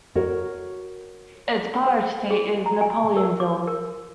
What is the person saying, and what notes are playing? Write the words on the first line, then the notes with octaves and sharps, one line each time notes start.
Its parish seat is Napoleonville.
F#4 A#4 C#5
C5
G#4
A#5
G#5
A#4
D6
A#4